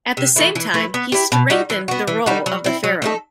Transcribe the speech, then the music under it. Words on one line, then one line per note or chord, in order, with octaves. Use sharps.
At the same time, he strengthened the role of the Pharaoh.
C3
E3 A3 E4
E3
A3 E4 B4
B3
E4 G4
B2
G3 D#4 F#4
E3
B3 F#4
E3
G3 D#4 F#4
F#3
C4 E4
F#3
A3 D#4 A4